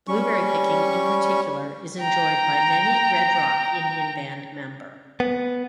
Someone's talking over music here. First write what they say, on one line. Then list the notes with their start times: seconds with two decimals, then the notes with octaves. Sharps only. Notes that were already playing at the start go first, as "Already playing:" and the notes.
Blueberry picking in particular is enjoyed by many Red Rock Indian Band member.
0.08 G3 C#4 C#6
2.01 G5 A#5
5.20 B3